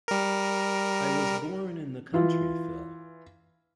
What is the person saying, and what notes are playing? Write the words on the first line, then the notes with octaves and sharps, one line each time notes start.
I was born in the country, Phil.
G3 A#4
E3 F4